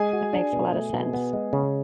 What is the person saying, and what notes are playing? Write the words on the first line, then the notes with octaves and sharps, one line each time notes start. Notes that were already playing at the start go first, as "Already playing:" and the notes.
That makes a lotta sense.
Already playing: G#3 G#4 G#5
F#4
D4
B2
A3
B2
B3
G#3
C#3